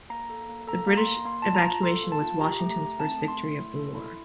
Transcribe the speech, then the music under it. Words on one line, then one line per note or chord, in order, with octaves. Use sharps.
The British evacuation was Washington's first victory of the war.
A#3 A#5
A4
A#3
A4 A#5
A#3 A#5
C6
A#3
A#3 C6
F4 A5
A#5
F4
A4 C6
A#3
A5
F4
G4 A#5
A3
A#5
A3
C4 A5
A3
C6
A3
E4
A4
E4